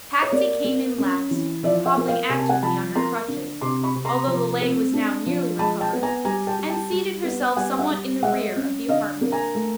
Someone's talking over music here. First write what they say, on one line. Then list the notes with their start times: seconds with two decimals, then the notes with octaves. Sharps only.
Patsy came in last, hobbling actively on her crutches, although the leg was now nearly recovered, and seated herself somewhat in the rear of the apartment.
0.23 C#5
0.32 A#3 D5
0.65 A#3
0.98 C#4
1.31 E3
1.63 F3 D5 E5
1.86 E5 F#5
1.97 A#3
2.08 F5 G5
2.29 C3 G#5
2.39 A5
2.49 F#5 G#5
2.62 F3 A5 B5
2.95 A#3 A#5 C6
3.28 D3
3.61 C3 C6 D6
3.83 B5 C#6
3.95 C3
4.05 A#5 C6
4.27 F3
4.61 C4
4.94 D4
5.26 F3
5.59 G#3 A5 B5
5.81 G5 A5
5.93 B3
6.03 G#5 A#5
6.25 G3 G#5 A#5
6.47 G5 A5
6.58 G3
6.69 G5 A5
6.91 G3
7.23 B3
7.57 G3 F#5 G#5
7.79 E5 F#5
7.90 G3
8.23 G#3 E5 F#5
8.56 C#4
8.88 D3 D#5 F5
9.21 A#3
9.32 G#5 A#5
9.55 A3